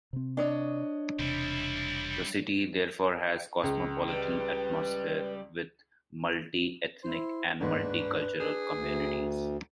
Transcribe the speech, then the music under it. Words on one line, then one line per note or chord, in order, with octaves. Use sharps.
The city therefore has cosmopolitan atmosphere with multiethnic and multicultural communities.
C3 C4
D4 C#5 D#5
E1 C3 G3 E4
C#2
G3 B4
E4 C5
G1 D#2 G#2 D4 B4
D4 G#4
D2